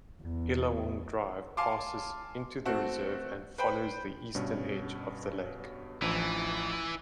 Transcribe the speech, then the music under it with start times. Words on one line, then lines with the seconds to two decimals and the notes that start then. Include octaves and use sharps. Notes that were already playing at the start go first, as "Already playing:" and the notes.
Illawong Drive passes into the reserve and follows the eastern edge of the lake.
0.22 E2
1.57 F5 G#5 A5 C6 D6
2.65 A3 C4 F#4
3.58 B4 C5 G5 B5
4.35 G2 B2 C#4
6.02 A1 E3 F3 D4